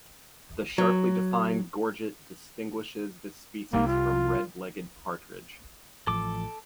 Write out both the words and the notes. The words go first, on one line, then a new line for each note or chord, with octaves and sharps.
The sharply defined gorget distinguishes this species from red-legged partridge.
F#3
C2 C3 G3 A#3
F4
A1 F3 A4 D6